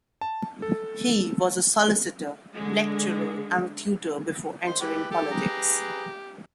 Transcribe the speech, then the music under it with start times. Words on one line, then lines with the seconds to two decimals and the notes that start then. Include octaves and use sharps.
He was a solicitor, lecturer and tutor before entering politics.
0.21 A5
0.62 A4
2.54 D3 G#3
4.66 D#3 C5
4.81 E3 G#3 G4 B4
5.11 G4 A4
5.31 G#4 B4 A#5